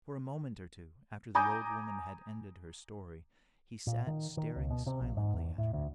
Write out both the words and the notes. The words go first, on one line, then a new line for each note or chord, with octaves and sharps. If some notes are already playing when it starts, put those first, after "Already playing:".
For a moment or two after the old woman had ended her story, he sat staring silently at her.
G#5 A#5 D6 D#6 G6
A#2
D#3
D#3
C#2
B2
C3
A#1
G#2
E2
A2
D2